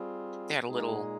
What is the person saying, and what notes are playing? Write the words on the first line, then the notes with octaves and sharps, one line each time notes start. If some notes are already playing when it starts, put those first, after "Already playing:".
they had a little
Already playing: G3 C4 F4 G#4
A#2 G#3 D#4 G#4